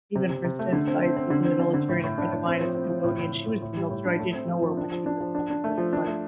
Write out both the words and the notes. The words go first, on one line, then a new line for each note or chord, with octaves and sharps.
even for instance, I was in the military and a friend of mine is Cambodian, she was in the military, I didn't know her when she was in the military, but
C3
C3
C3
A3
D3
C4
C4
C4
D3
C4
D3
D3
A2
A2
D4
A2
C4
F3
C4
F3
A2
A2
A2
A2
A2
G3
A2
D4
A3
C4
F3
F3
D4
F3
D4
F3
D4
D4
A3
F3
D4
A3